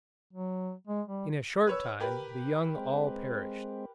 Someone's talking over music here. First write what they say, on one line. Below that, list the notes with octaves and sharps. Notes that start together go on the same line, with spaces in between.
In a short time the young all perished.
F#3
G#3
G3
B4 C#5 E6
G4 A#4 B4
G#3 C4